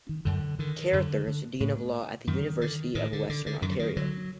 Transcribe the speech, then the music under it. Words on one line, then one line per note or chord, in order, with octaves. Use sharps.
Carrothers, Dean of law at the University of Western Ontario.
D#3
F#2 D3
D3 D#3
F#2 D3
D3
A2
F#2 D#3
D3
A2 D#3
D3
D3
D3
F#2 D#3
D3
D#3
D3 F#3